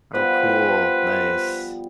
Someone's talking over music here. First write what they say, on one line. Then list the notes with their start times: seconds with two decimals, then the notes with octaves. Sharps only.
Oh, cool. Nice.
0.15 F3 G3 B3 B4 C5